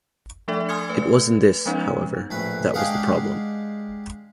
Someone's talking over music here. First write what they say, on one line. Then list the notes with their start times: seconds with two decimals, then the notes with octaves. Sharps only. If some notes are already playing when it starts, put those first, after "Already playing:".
It wasn’t this, however, that was the problem.
0.48 F3 A3 D4 A4 D5 E5
0.68 G#5 C6 D#6 F6 G#6 C#7
0.89 A3 B4
1.66 F3 G#3 B3 C#4 D#4
2.31 A#1 A2 B4
2.74 G#3 D4 G4 G#4 F5 F#5